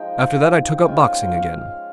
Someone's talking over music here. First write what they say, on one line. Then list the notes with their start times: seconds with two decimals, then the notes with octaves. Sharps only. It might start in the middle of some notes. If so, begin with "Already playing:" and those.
After that I took up boxing again.
Already playing: F3 G#3 D#4 G5
0.77 G5
0.86 G#3 C#4 F4 G#5
0.99 F5
1.10 G5
1.34 F5